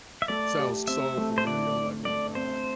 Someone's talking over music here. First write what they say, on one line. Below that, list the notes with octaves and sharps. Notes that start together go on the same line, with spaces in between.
sounds so familiar. I'm, like, "My god,
E5
A3 D5
G4
C4 E5
A3
C5
D3 D5
A3
A3 D5
C4 C5